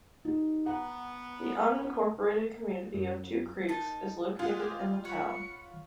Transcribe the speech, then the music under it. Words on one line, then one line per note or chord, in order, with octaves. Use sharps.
The unincorporated community of Two Creeks is located in the town.
D#4 G4
B3 F#5 A#5
F#2
D#4 A#4 A5
F4 G#4 F5 F#5 C6
G#3 G4 G#4
C#5 F#5 B5 C#7